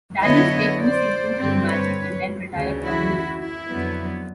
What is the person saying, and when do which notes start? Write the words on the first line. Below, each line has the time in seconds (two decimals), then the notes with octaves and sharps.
Daly stayed two seasons with the Magic and then retired permanently.
0.22 D3 F#3 B3 E4 C#5 D#5
0.80 C5 D5
1.38 G2 D3 G3 C4
1.67 B4 C#5
2.54 D2 C#3 E3
2.82 E4 F#4
3.39 E4
3.69 F2 D3 F#3 B3